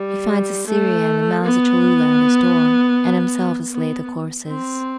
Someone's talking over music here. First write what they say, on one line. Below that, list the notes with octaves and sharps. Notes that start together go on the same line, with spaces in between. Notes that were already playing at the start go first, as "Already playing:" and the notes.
He finds Assyria and the Mounds of Cholula at his door, and himself has laid the courses.
Already playing: G3
A3
B3
B3
C4